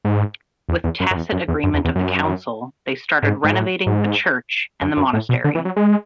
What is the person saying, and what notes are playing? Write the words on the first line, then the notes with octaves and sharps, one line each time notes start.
With tacit agreement of the council, they started renovating the church and the monastery.
G#2
E2
E2
F#2
F#2
E2
F#2
E2
F#2
E2
E2
F#2
G#2
G#2
A2
G#2
F#2
F#2
A2
B2
D3
E3
F#3
G#3